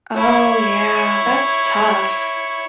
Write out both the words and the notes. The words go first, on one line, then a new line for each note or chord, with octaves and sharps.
Oh, yeah, that's tough,
E4 C#5